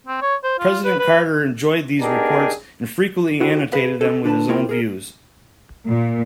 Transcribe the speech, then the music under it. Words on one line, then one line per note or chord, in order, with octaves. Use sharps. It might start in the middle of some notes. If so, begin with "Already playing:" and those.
President Carter enjoyed these reports and frequently annotated them with his own views.
C4
C#5
C5
F4
B4
B4
B3 D4 D#4 G4 G#4 A#4
E4 F#4 G4 A4 C5
G#4 B4 F5
C#4 A4
D3 D4 B4 A5
A#3 E4 F4 G4 A#4 C5
G#4 A#4
A#2